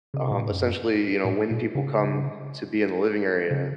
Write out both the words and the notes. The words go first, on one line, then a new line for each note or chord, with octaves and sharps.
um, essentially, you know, when people come to be in the living area,
C#3
C3
A#2
A2
F#2
A2
A#2
C#3
C#3